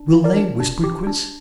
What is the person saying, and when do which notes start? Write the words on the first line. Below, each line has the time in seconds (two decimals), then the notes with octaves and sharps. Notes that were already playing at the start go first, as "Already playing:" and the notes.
"Will they?" whispered Chris.
Already playing: D4
0.13 F4
0.24 A#4 D5
0.36 D4
0.60 D4
0.84 G4
1.07 D4